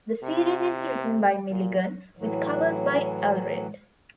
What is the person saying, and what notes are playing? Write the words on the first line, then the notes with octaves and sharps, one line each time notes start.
The series is written by Milligan, with covers by Allred.
C3
A#2
A2 E3 F#3